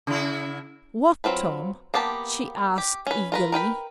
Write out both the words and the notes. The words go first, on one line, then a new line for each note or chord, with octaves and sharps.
"What, Tom?" she asked eagerly.
C#3 E4
F#3 C4 F4 B4
A#3 B3 G4 A5
G4
C#4 B4
F4 A#4 B4
A#4 B4 G5 B5